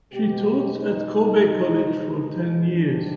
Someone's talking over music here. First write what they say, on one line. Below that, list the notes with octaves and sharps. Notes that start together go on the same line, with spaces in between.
She taught at Kobe College for ten years.
B2 G#3 G4
D#4
G#2 G3 D4